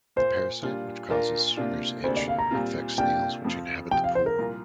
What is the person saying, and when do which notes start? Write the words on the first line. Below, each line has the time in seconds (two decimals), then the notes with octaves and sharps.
The parasite, which causes swimmer's itch, infects snails which inhabit the pool.
0.16 A#2 A#3 F4 C5
0.63 A#2 G3 D4 F4
1.10 A#2 A#3 D4 F4 A#4
1.57 C3 A#3 D4 F4
2.04 D2 C3 A#3 D4 C5
2.16 D5
2.28 F5
2.38 A#5
2.51 A#2 G3 C4 F4
2.98 C3 A#3 D4 F4 G5
3.45 F2 F3 C4 F4
3.91 C3 F3 C4 G5
4.04 F5
4.15 C5
4.26 A#4
4.38 C2 A#2 A#3 F4